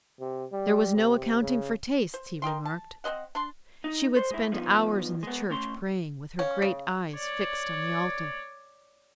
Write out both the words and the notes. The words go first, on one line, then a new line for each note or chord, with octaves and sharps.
"There was no accounting for tastes," he remarked. She would spend hours in the church praying, with her great eyes fixed on the altar.
C3
G3
C3
C#3
C5
A#4 D#5 G5 C6
A5
C4 C5 D#5 F#5
D4 A5 C6
D#4
A4 C5
G#3 E4
G2 F3 B3 D#4
G#3 B3
A3 C#4 C6
C#4 C#5 F5
C#3
C#5 D5